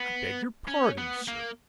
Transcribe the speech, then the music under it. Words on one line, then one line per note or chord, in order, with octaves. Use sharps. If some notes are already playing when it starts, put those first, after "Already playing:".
I beg your pardon, Sir.
Already playing: B3
C#4
B3
A#3